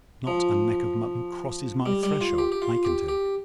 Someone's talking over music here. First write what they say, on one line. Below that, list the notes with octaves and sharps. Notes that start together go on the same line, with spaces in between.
Not a neck of mutton crosses my threshold, I can tell you.
F3
G3
G3
F4
G4
G4
F4
G4
G4